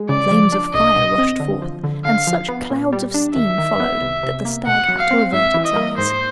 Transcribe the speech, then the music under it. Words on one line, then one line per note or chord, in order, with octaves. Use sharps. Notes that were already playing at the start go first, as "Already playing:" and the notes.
Flames of fire rushed forth, and such clouds of steam followed that the stag had to avert its eyes.
Already playing: G#3
C#3 D5
F3
D4
C2 D#5
B2
C4
D3
F3
D3
D3 F5
F3
B3
A#2
G3
D4
D#2 E5
D#3
B3
C2
C3
A#3
B2 F#5
F#3
F5
C4
G#2 E5
E3
D#5
A#3
G#2 C5